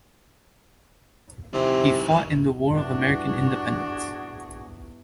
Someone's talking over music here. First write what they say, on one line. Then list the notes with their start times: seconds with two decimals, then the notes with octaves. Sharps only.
He fought in the War of American Independence.
1.54 C3 D#3 E4
2.75 E2 G2 D4 F#4 G#4